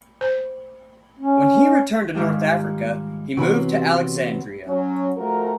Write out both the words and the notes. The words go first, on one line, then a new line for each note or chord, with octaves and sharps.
When he returned to North Africa, he moved to Alexandria.
C5
C#4
G#2 D#3 F3 G3
C3 E3 F#3 B3 B5 C6
F#3 C#4
F3 A3 F#4 A#4